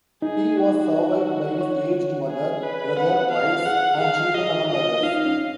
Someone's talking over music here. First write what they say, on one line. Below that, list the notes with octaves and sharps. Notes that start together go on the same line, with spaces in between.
He was survived by his aged mother, brother, wives and children, among others.
D#4 G#4
F#4
C#5
G#4
B4
B4 F#5
F5
G#4 F#5
G#4 F5
F#4 D#5
F4 D#5
D#4 F5
C#4